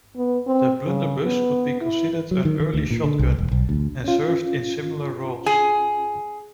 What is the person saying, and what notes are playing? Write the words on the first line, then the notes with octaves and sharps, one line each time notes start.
The blunderbuss could be considered an early shotgun, and served in similar roles.
B3
C4
C#3
B3
E4
F#3
D#3
D#3
D2
A#2
D3
C2
E1
B1
D2
C#4 F4
G#4